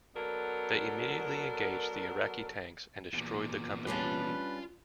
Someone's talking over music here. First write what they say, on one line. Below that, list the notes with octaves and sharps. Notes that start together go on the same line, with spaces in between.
They immediately engaged the Iraqi tanks and destroyed the company.
F#3 B3 D4 A4 A#4
E2 A#2
G3 C#4 D4 F4 B4